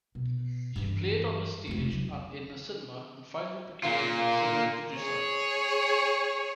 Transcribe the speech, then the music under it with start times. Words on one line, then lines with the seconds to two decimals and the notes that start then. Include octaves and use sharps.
She played on the stage and in the cinema and finally became cinema producer.
0.15 B2
0.76 G2 E3
1.67 F1 C#2
1.92 F#3
3.83 A#3 F4
4.97 G#4 C#5